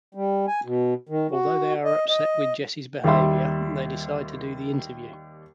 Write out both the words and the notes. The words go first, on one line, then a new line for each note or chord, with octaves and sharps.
Although they are upset with Jess's behaviour, they decide to do the interview.
G3
G#5
B2
D#3
F#4
D#5
D#5
D#2 G3 E5 C6